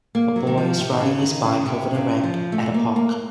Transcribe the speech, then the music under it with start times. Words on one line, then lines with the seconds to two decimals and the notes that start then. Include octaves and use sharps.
A boy is riding his bike over a ramp at a park.
0.15 A#3
0.36 F#3
0.47 D#3
0.58 F3
0.79 C3
0.92 D#3
1.01 C#3
1.23 D#3
1.44 C#3
1.66 C3
1.95 C#3
2.23 F3
2.52 A3
2.74 A#3
2.96 A#3